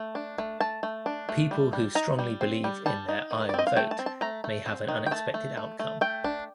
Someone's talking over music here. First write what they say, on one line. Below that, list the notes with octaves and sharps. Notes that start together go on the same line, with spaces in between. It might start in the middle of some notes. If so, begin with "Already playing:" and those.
People who strongly believe in their "iron vote" may have an unexpected outcome.
Already playing: A3
D4
A3
A3 A5
A3
D4
A3
G3
G3
D#4 A#5
G3
C4
G3
G3 A5
D#4
D#3
D5
C4 D#5
F5
A3 G5
A5
C4
A5
A3 A#5
A3
C4
D#3
G5
A3 A5
A3
A3
A3
A3 G5
D4